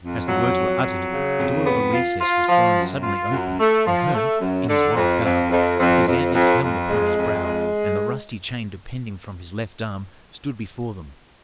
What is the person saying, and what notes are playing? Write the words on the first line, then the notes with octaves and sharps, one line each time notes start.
As the words were uttered, the door of a recess was thrown suddenly open, and Herne, in his wild garb, with his antlered helm upon his brow, and the rusty chain depending from his left arm, stood before them.
F2
F#3
F2
F#3
C#3
F2
B3
F4
F4
F3
F#2
F4
F#2
A3
F3
A3
F#2
D3
F2
F2
F2
F2
F2
F2
F2
G#3
F2
G#3